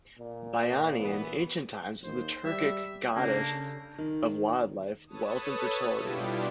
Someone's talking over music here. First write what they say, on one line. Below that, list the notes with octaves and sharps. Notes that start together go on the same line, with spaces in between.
Baianai in ancient times was the Turkic goddess of wild life, wealth and fertility.
A#2
E3 B3
D#2 C5
G3 E5
C#3 A#3 D4 G4 A4
D#3
A4 B4 C#5 A5 D#6
B2 G3 D4 E4 F4 G4